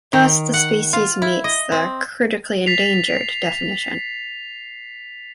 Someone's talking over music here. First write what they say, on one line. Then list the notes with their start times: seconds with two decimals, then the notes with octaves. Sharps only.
Thus the species meets the "critically endangered" definition.
0.13 D#3
0.54 F#5
0.93 F4
1.22 E4
1.44 D#5
1.72 C4
2.66 A6 B6 C7 F7